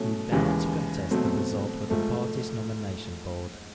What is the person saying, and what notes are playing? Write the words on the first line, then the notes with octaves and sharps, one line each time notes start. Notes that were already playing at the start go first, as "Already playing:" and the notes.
He vowed to contest the result with the party's nomination board.
Already playing: B2 F#3 A3 C#4
D#2 C#3 E3 G#3
B2 F#3 A3 C4
G#2 F3 A3